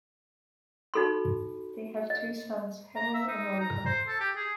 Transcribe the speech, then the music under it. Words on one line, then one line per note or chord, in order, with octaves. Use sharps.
They have two sons, Henry and Oliver.
D#4 F#4 A4 B5 C6
D#5
A#5
E5
D#4
A#5
C5
A4
G4
G#4